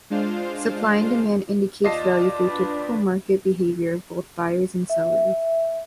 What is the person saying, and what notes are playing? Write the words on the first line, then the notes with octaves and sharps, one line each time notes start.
Supply and demand indicates value through typical market behavior of both buyers and sellers.
G#3 D4 F4 C5 F5
D#2 F4 D5 D#5 A5 C7
D4 B4
E5